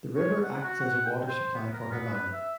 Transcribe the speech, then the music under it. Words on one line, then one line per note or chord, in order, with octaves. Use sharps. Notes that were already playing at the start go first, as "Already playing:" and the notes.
The river acts as a water supply for Havana.
C#5
F#5
F#4
F#5
G5
C5
B3
A#4
B3
B4
E5